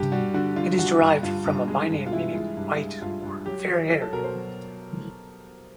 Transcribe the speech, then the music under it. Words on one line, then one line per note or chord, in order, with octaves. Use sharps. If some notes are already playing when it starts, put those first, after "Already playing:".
It is derived from a byname meaning "white" or "fair-haired".
Already playing: G2 G4
G3 F#4
D3 F#4
D3 F4
G3 F#4
G2
G2 F4
G2
G#3
G2
F4
E3 E4
G#3
G2
G#3
G2 F4
G2
F#3 G4
F#3
F#3
A4
B2 A#4
C5
F#3